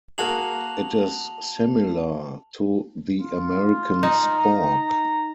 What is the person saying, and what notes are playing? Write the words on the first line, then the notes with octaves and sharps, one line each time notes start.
It is similar to the American spork.
A#3 F#4 G#4 A5 F7 F#7
F4
D#4
A#5